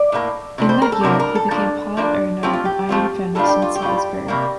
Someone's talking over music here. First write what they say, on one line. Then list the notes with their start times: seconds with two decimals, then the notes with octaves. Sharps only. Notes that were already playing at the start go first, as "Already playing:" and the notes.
In that year, he became part owner of an iron furnace in Salisbury.
Already playing: D5
0.12 A2 G3 A#3
0.58 C3 F3 D4
0.69 C5
0.82 A#4
0.92 A4
1.04 C3 F3 A#3 D4 A#4
1.20 A#4
1.35 A4
1.51 F3 A#3 D4
1.97 F3 A#3 D4
2.43 F3 A3 C4 F4 G4
2.54 F4
2.65 G4
2.89 F3 A3 C4 F4
3.35 A2 G3 D4 F4 A4
3.48 G4
3.62 F4
3.75 G4
3.82 A2 G3 D4 F4
4.28 C3 G3 A#3